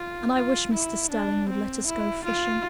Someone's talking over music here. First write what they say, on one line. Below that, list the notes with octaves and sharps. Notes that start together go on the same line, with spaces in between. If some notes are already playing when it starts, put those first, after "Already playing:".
And I wish Mr. Stelling would let us go fishing.
Already playing: F4
F4
E4
D4
C4
E4
F4